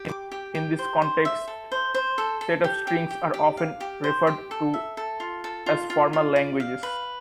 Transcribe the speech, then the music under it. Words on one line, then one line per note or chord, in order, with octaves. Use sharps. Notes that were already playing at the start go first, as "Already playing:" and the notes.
In this context, sets of strings are often referred to as formal languages.
Already playing: G4
D6
G4
G4
C5
C5
E5
A4
C5
C5
A4
A4
G4
G4
G4
G4
F5
G4
C5
G4
A4
E5
A4
F4
A4
F4
F4
F4
D5
F5
B4